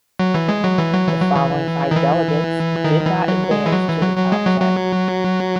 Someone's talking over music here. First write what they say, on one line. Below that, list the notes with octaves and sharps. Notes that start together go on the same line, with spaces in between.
The following five delegates did not advance to the top ten.
F#3
E3
G#3
F#3
E3
F#3
E3
F#3
E3
D#3
E3
D#3
E3
F#3
G#3
E3
F#3
E3
F#3
F#3
G#3
F#3
F#3